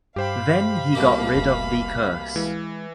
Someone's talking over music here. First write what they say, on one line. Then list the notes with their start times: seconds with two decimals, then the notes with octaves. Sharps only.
Then he got rid of the curse.
0.16 G2 G4 C5 F5 G5 B5
0.95 C2 B2 A#3
1.35 F1
2.36 E3 G#3